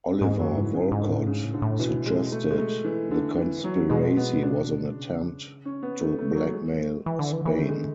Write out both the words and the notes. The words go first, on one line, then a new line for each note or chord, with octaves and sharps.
Oliver Wolcott suggested the conspiracy was an attempt to blackmail Spain.
G#2 G#3
F#2 F#3
G#2 E3
C#3
G#2
D3
A2
G#2 C#3
A2
D3
A2
B2 E3
G#3
A3
G#3
A3
E3
D3
E3
F#3
B2 G#3
B3
D4
C#3
C#4
B3
D3 A3
A3
F#3
G#3
E3
D3
E3
E3
D3 A3
G#3